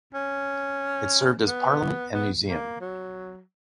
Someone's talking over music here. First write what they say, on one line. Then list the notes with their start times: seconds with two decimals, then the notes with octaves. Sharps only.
It served as parliament and museum.
0.14 C#4
1.47 B3
2.14 B3
2.48 A#3
2.81 F#3